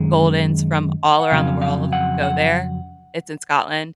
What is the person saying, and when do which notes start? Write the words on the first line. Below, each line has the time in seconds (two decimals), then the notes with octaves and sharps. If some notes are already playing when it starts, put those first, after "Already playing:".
goldens from all around the world go there, it's in Scotland.
Already playing: F#2 D#3 G#3
1.20 F#5
1.31 F2 C#3 F#3 F5
1.62 F5
1.93 F#5
2.23 F#5